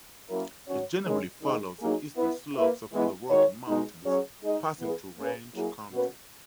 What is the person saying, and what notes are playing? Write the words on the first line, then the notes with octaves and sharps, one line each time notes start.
It generally follows the eastern slopes of the Rocky Mountains, passing through ranch country.
F#3 A#3 C#4 E4 A#4
D#3 F#3 C#4 F#4 C#5
D#3 G#3 C#4
D#3 G#3 D#4
F#3 A#3 D#4 G#4
B3 E4 B4
A#3 E4 B4 E5
E3 G#3 B3 E4
D#3 G#3 D#4 F#4 C#5
B2 G#3 D#4
F#3 C#4 G#4 C#5
G#3 D#4 G#4 D#5
E3 B3 E4 G#4 B4
A#3 C#4 G#4 B4
F#3 A#3 E4 G#4
B2 A#3 C#4 F#4 B4